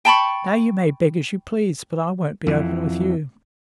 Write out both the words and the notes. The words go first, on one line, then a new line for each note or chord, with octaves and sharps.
Now you may beg as you please, but I won't be open with you.
G5 A5 B5 C#6
F2 E3